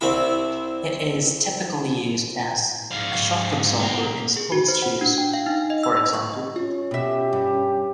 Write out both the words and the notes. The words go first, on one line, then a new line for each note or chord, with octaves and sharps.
It is typically used as a shock absorber in sports shoes, for example.
C2 C4 E4 B5
G#2 F5
B3 A#5
G#4
F#4
C5
F#5
D4
G5
F5
D#4
D#5
E6
D#5
C#6
C#4 F4
B2 G4 E5
G2